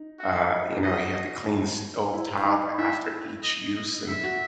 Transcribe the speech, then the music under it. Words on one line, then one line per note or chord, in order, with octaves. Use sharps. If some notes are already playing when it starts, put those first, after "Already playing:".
uh, you know, you have to clean the stove top after each use and
Already playing: D#4
F#4
F#4 D#5
E4
D#4
E4 E5
D#5
D#5
E5
F#4